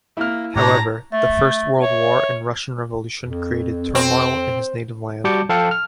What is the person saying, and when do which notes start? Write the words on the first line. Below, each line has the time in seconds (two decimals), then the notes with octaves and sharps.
However, the first World War and Russian Revolution created turmoil in his native land.
0.17 A#3 E4 F6
0.56 A2 D4 G4 C#5 A5 A#5
1.12 A3 E5
1.82 C#5
3.23 F2
3.95 F2 C4
5.24 G3 F#4 A5 D6 G6 C#7
5.49 F3 A4 F5 G5 A5 C#7
5.71 F6